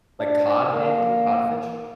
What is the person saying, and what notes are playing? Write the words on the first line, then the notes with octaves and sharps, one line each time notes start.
Like cod maybe, codfish?
D4
A#3